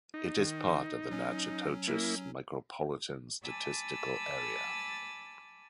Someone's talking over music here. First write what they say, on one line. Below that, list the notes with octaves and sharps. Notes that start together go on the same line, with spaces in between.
It is part of the Natchitoches Micropolitan Statistical Area.
D#4
D#3
F#3 C#4
A#3 E4
G#5 A5 B5 D6 E6 A6